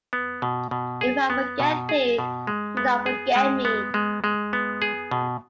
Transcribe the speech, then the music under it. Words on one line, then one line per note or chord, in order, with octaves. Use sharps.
If I forget Thee, do not forget me.
B3
B2
B2
G#4
B3
B2
G#4
B2
G#3
B3
G#4
G#3
B3
G#3
G#3
B3
G#4
B2